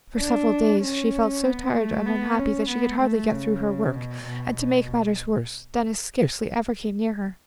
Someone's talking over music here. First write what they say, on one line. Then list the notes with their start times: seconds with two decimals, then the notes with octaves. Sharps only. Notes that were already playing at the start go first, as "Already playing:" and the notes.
For several days she felt so tired and unhappy that she could hardly get through her work, and to make matters worse Denis scarcely ever came near her.
0.20 D4
0.82 C#4
1.44 B3
1.76 A3
2.07 B3
2.39 C#4
2.70 B3
3.01 A3
3.32 C#3
3.95 B2
4.27 B2
4.57 B2